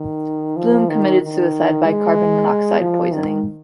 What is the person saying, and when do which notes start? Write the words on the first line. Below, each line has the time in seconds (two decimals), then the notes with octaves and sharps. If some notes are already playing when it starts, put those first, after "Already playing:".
Bloom committed suicide by carbon monoxide poisoning.
Already playing: D#3
0.56 F3
0.89 D#3
1.21 D#3
1.85 G#3
2.80 F3
3.12 D#3